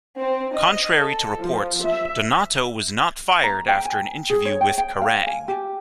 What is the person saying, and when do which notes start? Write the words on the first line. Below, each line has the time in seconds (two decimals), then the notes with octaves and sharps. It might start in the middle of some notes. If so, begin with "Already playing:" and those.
Contrary to reports, Donato was not fired after an interview with Kerrang!
0.19 C4
0.57 D#5
0.92 A4
1.39 F3
1.84 E5
3.44 A#5
3.68 G5
3.85 G#5
4.30 G#4
4.45 C#5
4.61 G5
4.78 G5
5.02 F5
5.27 G#5
5.48 G4